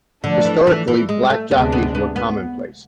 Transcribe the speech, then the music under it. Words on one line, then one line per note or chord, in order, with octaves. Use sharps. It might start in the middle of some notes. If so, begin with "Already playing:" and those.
Historically, black jockeys were commonplace.
D3 F3 A3 D4 A4
E3
E3
E3
G#3
A3
D2 C3 G#3 B3 D4
B3
B3
B3